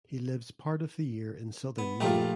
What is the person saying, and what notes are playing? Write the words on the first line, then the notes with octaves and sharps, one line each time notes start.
He lives part of the year in Southern Maine.
B3
A#1 A3 D#4 F4 G4